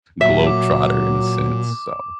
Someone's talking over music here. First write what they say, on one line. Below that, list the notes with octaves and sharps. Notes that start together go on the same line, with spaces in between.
globetrotter in a sense. So,
A#2 F#3 E5
D6